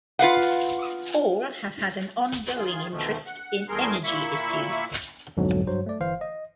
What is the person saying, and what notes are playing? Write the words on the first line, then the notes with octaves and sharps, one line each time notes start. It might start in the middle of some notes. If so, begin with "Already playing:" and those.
Hall has had an ongoing interest in energy issues.
F4 B4 F5 F#5
D#3 F4 G#4
D2 B2 D#3 F3 A3
F#5
E2 G3 A3 G#4 A#4 C6
A#2 A#3 E4 E5 B5 C#6
B1 F2 G#2 B2 D3 F#3
G2 F#3 C5
A3 D5
G1 E3 C5 F5
D#5